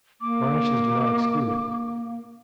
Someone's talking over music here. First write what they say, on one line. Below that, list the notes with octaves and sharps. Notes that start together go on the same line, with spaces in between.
Varnishes do not exclude it.
A#3 D6